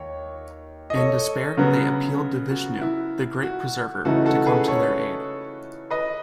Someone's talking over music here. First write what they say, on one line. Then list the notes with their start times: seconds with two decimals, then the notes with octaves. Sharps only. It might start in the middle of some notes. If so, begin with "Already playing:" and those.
In despair, they appealed to Vishnu, the great Preserver, to come to their aid.
Already playing: D#2 C#5
0.90 D#5
0.95 A4 C#5
1.57 C#3 F#3 B3
2.51 F#4
2.81 E4
3.43 F#4
4.05 C#3 E3 A3 D#4 F#4 A4
4.26 F#4 A4
4.46 G#4 B4
4.67 A4 C#5
5.91 B4 D#5